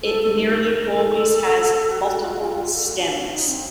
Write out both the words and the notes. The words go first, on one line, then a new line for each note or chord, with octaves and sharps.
It nearly always has multiple stems.
A4
A4
A#4
A#4
A4
F#4
F4
F#4
F4
F4
A4
F#4
F#4
D#4
C4